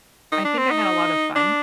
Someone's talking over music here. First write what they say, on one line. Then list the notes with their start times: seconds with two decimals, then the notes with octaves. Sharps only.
I think I had a lot of fun
0.32 D#4
0.45 D4
0.58 C4
0.71 D#4
1.36 D4